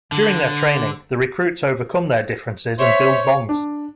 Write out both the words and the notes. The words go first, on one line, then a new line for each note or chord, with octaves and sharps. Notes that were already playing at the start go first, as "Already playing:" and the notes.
During their training, the recruits overcome their differences and build bonds.
D3
C5 C#5 E5
D4